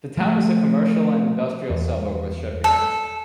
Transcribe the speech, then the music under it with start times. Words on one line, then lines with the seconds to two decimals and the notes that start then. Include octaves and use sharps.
The town is a commercial and industrial suburb with shipyards.
0.17 F3 A3
1.70 E2
2.64 A4